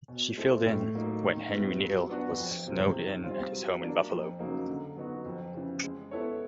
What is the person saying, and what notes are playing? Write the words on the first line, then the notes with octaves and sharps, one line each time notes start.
She filled in when Harry Neale was snowed in at his home in Buffalo.
B2
G#3 C4 E4 A4
A2
F#3 A#3 D#4
D#3
G3 B3 E4
F#3
B3 D4 F#4
F2
C3 F3
D#3
G3 C4 F4
F#3
A#3 D4
F2
C#3 F#3 A#3 D#4
D3
F#3 B3 D#4 F#4
F2
C#3 E3
G#3
B3 E4 A4 C#5